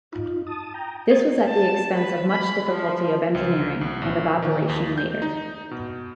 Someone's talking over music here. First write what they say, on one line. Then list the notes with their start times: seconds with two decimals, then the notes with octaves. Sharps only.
This was at the expense of much difficulty of engineering, and of operation later.
0.12 D#4 F4
0.47 A5 D#6
0.74 G5 A#5
1.10 C#5 C6 C#6 D#6 G#6 A6
1.48 A5
1.94 B4
2.28 B5
2.69 F3
3.35 C#2
3.81 C2
4.02 A#1
4.42 D#3
4.69 D#2
4.98 G6
5.22 D#4
5.71 B2